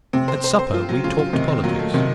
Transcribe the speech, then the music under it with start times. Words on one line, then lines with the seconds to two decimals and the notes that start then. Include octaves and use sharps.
At supper we talked politics.
0.13 C3 C4
0.28 C5
0.44 C5
0.59 C5
0.73 F3 F4
0.89 F#3
1.04 C#3 F4
1.19 F4
1.33 C3 D#3
1.48 C4
1.63 A#2 F#3
1.79 A3
1.94 C3 D#3